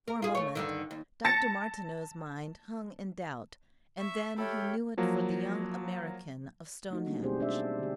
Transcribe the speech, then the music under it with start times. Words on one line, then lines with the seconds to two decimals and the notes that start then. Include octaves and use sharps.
For a moment Dr. Martineau's mind hung in doubt and then he knew it for the young American of Stonehenge.
0.08 A#4
0.22 F4 G#4
0.35 A3 C#5
0.55 G2 D3 D#3
0.91 D#2
1.24 A5 A6 A#6 C#7
3.99 E5 C#6
4.38 G4 A4 C#5 E5 G5 B5 F6
4.97 F3 F#3 A#3
6.90 A3 D#4 F#4
7.06 F#3 G3 A#3 C#4 D4
7.22 B2 A3 C4 G4 G#4 C5
7.40 D4 D5 E5
7.79 D3 G4